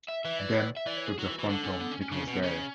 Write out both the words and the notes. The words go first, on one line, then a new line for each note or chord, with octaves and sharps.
Then with the Phantom, it was there!
E5
E3 E5
D5
D5
E5
E3 D5
C#5
G#4
F#3 F#4
E3
E3
D3 D4
C#4
B3
C#4
C#4
C#3 D4
C#4
B2
B3
C#3 C#4